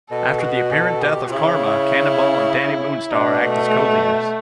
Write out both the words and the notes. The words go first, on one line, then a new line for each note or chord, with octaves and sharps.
After the apparent death of Karma, Cannonball and Dani Moonstar act as co-leaders.
B2 A4
F#4
A4
G4
C#3 E4
B2 D4
A3